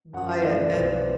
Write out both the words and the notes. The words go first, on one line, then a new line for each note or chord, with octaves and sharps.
By a an
F#2 F#5
E5
E3 A3 D5
B4
B1 D5
C5
B4
C5